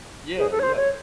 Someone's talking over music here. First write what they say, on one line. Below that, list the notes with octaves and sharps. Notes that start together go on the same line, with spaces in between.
Yeah, yeah.
G#4
A4
C#5
C5
C#5